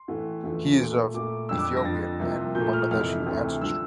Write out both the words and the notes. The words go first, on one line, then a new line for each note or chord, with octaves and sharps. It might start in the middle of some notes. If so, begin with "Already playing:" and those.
He is of Ethiopian and Bangladeshi ancestry.
Already playing: C6
A2 E3 A3
E2 D3 F3 A3
A#2 A3
A#2 A3 D6
F2 D3 G3 E6
D6
A#6
F2 D3 F3 A6
C2 C3 F3 A#3
A#2 F3 A3 G6
F6
F2 C3 E3 A3 F6
D2 C3 E3 A3
G2 D3 F3 E6